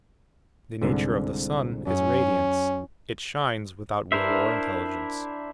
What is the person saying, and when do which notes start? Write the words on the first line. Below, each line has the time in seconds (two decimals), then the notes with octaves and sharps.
The nature of the sun is radiance; it shines without will or intelligence.
0.82 C2 G#2 D3
1.87 F#2 C#4
4.12 D4 E4 A#4 C5 E5